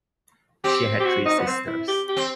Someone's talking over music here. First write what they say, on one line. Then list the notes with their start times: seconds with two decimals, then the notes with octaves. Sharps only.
She had three sisters.
0.64 C4 G4
0.99 G4
1.05 F#4
1.25 D#4
1.39 B3
1.46 C4
1.67 E4
1.88 G4
2.08 G4
2.17 C4